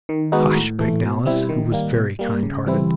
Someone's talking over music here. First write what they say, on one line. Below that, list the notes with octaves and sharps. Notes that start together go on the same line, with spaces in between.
"Hush!" begged Alice, who was very kind-hearted.
D#3
G#3 B3 D#4 F#4
A2
E3 A3
B2
G3 C4 E4
D#3
G3 A#3
B2
G3 A#3
C#3
E3 G3 C4 E4